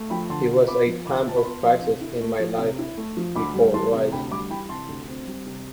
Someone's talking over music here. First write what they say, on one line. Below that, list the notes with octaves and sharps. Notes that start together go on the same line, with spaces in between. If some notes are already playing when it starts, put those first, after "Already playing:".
"It was a time of crisis in my life," recalled Rice.
Already playing: A3
F3 G5 B5
D3 A5 C6
F4
B3 B5 D6
F3
D3 B5 D6
F4 A5
B5
B3 A5 C6
F3
C3
E4
A3
F3
C3
E4
A3
F3
D2 B5 D6
G3
E3 A5 C6
C3
D2 G5 B5
G3 B5 D6
E3 G5 B5
C3 A5 C6
D2
C4
G3
C3